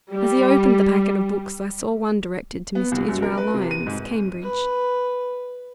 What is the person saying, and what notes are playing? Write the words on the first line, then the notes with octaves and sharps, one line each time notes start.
As he opened the packet of books, I saw one directed to Mr. Israel Lyons, Cambridge.
G3
B3
C2
F#2
A#4
B4
C3
D#7
G#2
B4